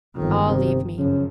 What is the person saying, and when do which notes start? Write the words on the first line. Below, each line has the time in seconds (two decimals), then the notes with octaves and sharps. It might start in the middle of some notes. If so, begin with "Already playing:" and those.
"All leave me."
0.16 G1 F2 D#3
0.49 C3
0.98 F#2 C#3 F3